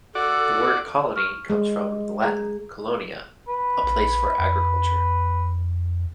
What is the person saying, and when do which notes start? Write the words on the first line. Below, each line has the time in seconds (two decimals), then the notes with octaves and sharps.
The word "colony" comes from the Latin "colonia"-"a place for agriculture".
0.15 F#4 A4 D5
1.16 C#6 F6
1.50 G#3
2.23 G#4 A#5
3.48 B4
3.83 A#1
4.39 F2